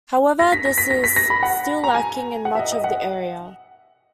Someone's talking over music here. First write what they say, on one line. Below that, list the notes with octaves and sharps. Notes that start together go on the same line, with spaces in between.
However, this is still lacking in much of the area.
A#6
B6
A#6
B6
A#6
B6
A#6
B5
F#5
A#5
G#5
F#5
E5
D#5
D#5
F#5